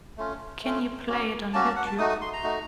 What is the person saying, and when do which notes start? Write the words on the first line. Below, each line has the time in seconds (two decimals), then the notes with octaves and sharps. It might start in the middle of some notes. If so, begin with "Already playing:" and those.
Can you play it on Youtube?
0.17 A3 C#4 F4
0.63 A3 C#4 F4
1.08 A#3 C#4 F#4
1.53 A#3 C#4 F#4 A5
1.65 A5
1.76 F#5
1.87 A5
1.98 A3 D#4 F#4 D#6
2.10 D#6
2.21 C6
2.33 A#5
2.43 A3 D#4 F#4